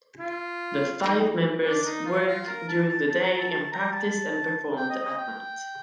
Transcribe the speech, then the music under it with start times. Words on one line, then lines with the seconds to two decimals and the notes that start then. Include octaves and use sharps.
The five members worked during the day and practiced and performed at night.
0.19 F4
1.01 D#4
1.64 D4
1.85 D#4
2.05 F4
2.27 F4
2.47 A#4
2.68 A5
2.89 A5
3.10 A5
3.23 A#5
3.38 A5
3.51 A5
3.72 A#5
3.93 A5
4.76 G5
4.89 D#5
5.04 D#5
5.18 G5